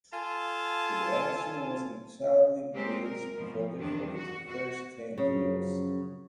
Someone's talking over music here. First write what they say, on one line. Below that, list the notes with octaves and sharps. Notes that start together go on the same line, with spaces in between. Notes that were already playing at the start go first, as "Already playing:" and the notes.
The magazine was entirely reader-supported for its first ten years.
F4 A4 F5 G#5 A5
F#3 G#3 A#3 C4 G4
A#4
G#2 B2 F3
E2 C3 D#3 D4
F#4
F#4
F#2 C#3 F3 F#3